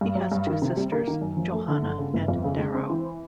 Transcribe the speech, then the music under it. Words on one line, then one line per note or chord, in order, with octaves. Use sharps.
He has two sisters, Johanna and Darrow.
G2
F#3
G2
D#3
C3
G3
A#3
D#3
F#2
F3
A3
D3
G1
C#3
G1
F2
C#3
G#3
C4
E3